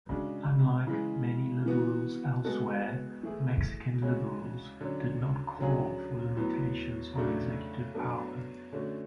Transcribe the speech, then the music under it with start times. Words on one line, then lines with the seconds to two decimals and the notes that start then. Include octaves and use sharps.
Unlike many liberals elsewhere, Mexican liberals did not call for limitations on executive power.
0.09 C#3 G#3 D4 F#4
0.87 C#3 E3 G#3
1.66 E3 B3 F#4
2.45 G#3 B3 F#4 A4
3.23 E3 A3 E4 G#4
4.02 C#3 G#3 C#4 F#4
4.81 D3 F#3 C#4
5.59 D3 F#3 C#4 G#4
6.37 A2 F#3 B3
7.15 C#3 F#3 A3 D4 F#4
7.94 F#3 B3 D4 A4
8.72 D3 A3 C#4 F#4